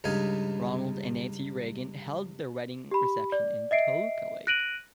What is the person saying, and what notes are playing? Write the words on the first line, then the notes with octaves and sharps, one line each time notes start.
Ronald and Nancy Reagan held their wedding reception in Toluca Lake.
C#2 G2 D#4 F5 G#5
G4 B5
D5
D#5 E5 C7 D7
F#6 A#6 D7 D#7 F#7